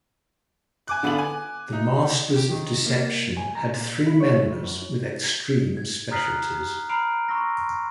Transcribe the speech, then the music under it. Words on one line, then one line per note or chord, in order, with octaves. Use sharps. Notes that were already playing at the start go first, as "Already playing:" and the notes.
The Masters of Deception had three members with extreme specialties.
G#5 D6 F#6
D3 B3 F4 A4 F#7
G#5
D#4
G4
D#3
A#3
G#5
A#5
A#2
E4
C#5
A3
D2
F#2
G#6
A#5 D#6 F6 F#6 B6 C7
A#5 B5 F6 C7 D7 F7
A#5 C6 C#6 E6 A#6